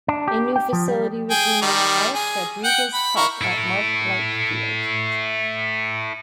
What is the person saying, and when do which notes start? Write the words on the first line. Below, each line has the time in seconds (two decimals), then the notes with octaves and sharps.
The new facility was renamed "Alex Rodriguez Park at Mark Light Field".
0.08 D4
0.28 G4
0.56 G5
0.73 F3
0.88 G3
1.30 G#4 G5
1.62 D#3 G3
2.15 G#4
2.64 F#5 G5
2.94 B5
3.16 E4 A#4 C#6
3.41 E4 A4